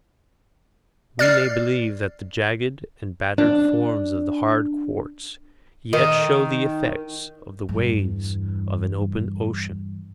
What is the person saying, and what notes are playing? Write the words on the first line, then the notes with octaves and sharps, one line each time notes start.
We may believe that the jagged and battered forms of the hard quartz yet show the effects of the waves of an open ocean.
D5 F6 C7
D4
D#3
E2 G2